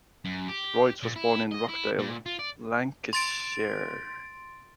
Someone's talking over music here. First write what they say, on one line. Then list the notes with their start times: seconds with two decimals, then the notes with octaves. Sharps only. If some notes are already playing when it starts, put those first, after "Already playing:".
Royds was born in Rochdale, Lancashire.
0.25 F#2
0.49 G4
1.03 A#2
1.16 E4
1.51 D#5
1.69 E4
1.99 A#2
2.26 F4
2.39 D5
3.13 C6 A6 D7